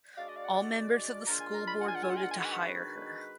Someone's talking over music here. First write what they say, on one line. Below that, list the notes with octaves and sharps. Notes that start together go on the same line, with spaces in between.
All members of the school board voted to hire her.
G#3 D4 F#4 D5 F5
D#5
F5
F#5
A#2 G#3 D4 F4 A#5
G#5
A#5
B5
F#5
G#5
F#5
G#5
F#5
G#5
F#5
G#5
D#3 G#3 D4 F#4 B4 F#5
G#5
F#5